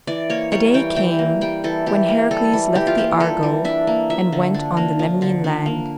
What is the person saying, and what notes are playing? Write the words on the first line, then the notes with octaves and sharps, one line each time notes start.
A day came when Heracles left the Argo and went on the Lemnian land.
E3 D5
A#3 C#5
G3 C#5
E3 G5
E3 G5
A#3
G3 G5
E3 A4
E3 G4
A#3
G3 A4
E3
E3 G4
F4
A#3 G4
G3 A4
E3
D4 E5
A#3
F3 E5
D3
D4
A#3
F3
D3
D4
A#3